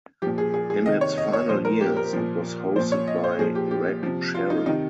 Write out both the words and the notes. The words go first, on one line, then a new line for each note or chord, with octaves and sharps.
In its final years it was hosted by Reg Sherren.
A#2 F3 G4
G#4
G#4
G#4
C3 D#3 D#5
C#5
D#5
C#5
A#2 F3 C5
A#4
G4
A#4
A#2 F3
A#2 F3 C5
C#5
D#5
C5
A#2 F3 G#4
G4
G4
C3 F3
F4
D#4
C3 D#3 D#4